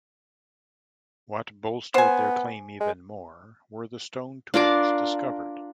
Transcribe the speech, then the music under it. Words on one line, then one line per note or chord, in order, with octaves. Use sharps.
What bolstered their claim even more were the stone tools discovered.
B3 C5 G#5
G#3
D4 F4 A#4 D6